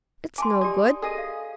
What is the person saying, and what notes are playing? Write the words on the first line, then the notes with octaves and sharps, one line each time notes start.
"It's no good."
G#5 A5 C6 D6
G4 D5 D#5
G#4 A4 D#5 D#6
F5